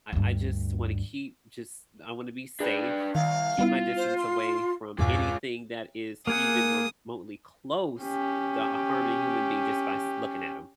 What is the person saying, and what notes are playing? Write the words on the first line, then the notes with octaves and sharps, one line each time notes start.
I I just wanna keep, just I wanna be safe, keep my distance away from anything that is even remotely close to harming human being just by s looking at ‘em.
D2 G2
D4 G#4 B4
C2 D#3 F5
G3 B3 E4 F4
C5
C6
E2 G2 A#2 G#3 F4 D6
A#3 G#4 F#5 D#6
C#4 G4